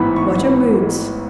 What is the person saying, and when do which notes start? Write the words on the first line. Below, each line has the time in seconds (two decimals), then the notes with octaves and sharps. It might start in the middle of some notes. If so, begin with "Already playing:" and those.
What are moods?
Already playing: A1 G#2 E3 B3 B5
0.16 C#6